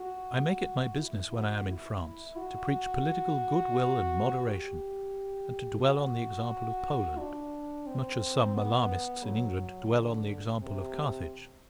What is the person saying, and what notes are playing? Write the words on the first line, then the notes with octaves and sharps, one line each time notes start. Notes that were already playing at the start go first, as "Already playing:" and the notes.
I make it my business, when I am in France, to preach political good-will and moderation, and to dwell on the example of Poland, much as some alarmists in England dwell on the example of Carthage.
Already playing: F#4
E4
F#4
E4
F#4
G4
F#4
D4
C4
B3
F#3
D3
C3